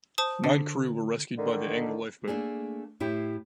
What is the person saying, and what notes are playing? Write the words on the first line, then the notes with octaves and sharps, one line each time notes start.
Nine crew were rescued by the Angle Lifeboat.
C5 A5 D#6
D3
D3 D#3
A3 A#3 D4 G#4
A2 E4 G4